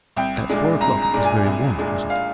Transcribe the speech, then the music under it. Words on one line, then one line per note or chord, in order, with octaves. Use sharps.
"At four o'clock--it was very warm, wasn't it?"
C2 G5
A#2 G#3 D4
C2 A#5
A#5
A#2 G#3 D4
G#5
C2
A#2 G#3 D4
F5